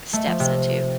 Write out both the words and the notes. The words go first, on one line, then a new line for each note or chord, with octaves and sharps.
stepson too,
A3
F3
C3